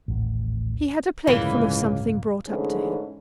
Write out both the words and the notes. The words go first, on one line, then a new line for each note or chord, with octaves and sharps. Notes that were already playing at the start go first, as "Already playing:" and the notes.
He had a plateful of something brought up to him.
D#1 A1
D1 C#2 G2 E3 A#3
G#2 D3 E3 A3 C#4 G#4